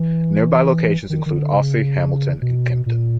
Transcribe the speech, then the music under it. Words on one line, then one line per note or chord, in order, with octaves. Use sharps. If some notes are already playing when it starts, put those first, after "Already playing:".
Nearby locations include Ouse, Hamilton and Kempton.
Already playing: E3
D#3
D#3
D3
C#3
B2
A#2